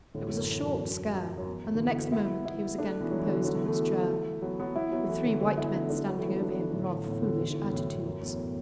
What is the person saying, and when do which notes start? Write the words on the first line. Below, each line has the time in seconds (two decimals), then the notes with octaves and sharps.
It was a short scare, and the next moment he was again composed in his chair, with three white men standing over him in rather foolish attitudes.
0.14 A2 D3
0.26 F#2 B2
0.37 F#2
0.48 E2
0.64 F#2
0.75 E2
0.81 F#2
1.38 F#2
1.46 E2
1.74 D3
1.80 B2 E3
2.12 B3 E4
2.45 B3 E4
2.78 A3 D4
3.00 B2 E3
3.11 F#3
3.19 E3
3.26 D3 F#3
3.44 D3 F#3
3.54 B2 E3
3.66 E3 A3
4.42 F#3 B3
4.59 F#3 B3
4.75 B3 E4
4.92 F#3 B3
5.08 E3 A3
5.25 D3 F#3
5.41 D3 F#3
5.57 B3 E4
5.74 A3 D4
5.90 A3 D4
6.07 F#3 B3
6.18 E3 A3
6.28 F#3 B3
6.40 A3 D4
6.50 F#3 B3
6.62 D3 F#3
6.73 A2 D3
7.05 E2 A2
7.22 A2 D3
7.38 B2 E3
7.49 A2 D3
7.61 F#2 B2
7.71 E2 A2
7.87 E2
8.05 F#2
8.21 E2 A2